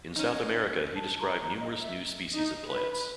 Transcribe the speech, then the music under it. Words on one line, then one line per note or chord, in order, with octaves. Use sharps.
In South America he described numerous new species of plants.
C#4 D#4
A5
A#5
D#5
E5
D#4
B4